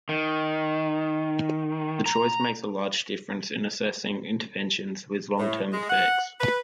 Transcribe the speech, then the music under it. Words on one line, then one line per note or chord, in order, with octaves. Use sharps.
The choice makes a large difference in assessing interventions with long-term effects.
D#3
A#5
A2
G#3
F#5
B4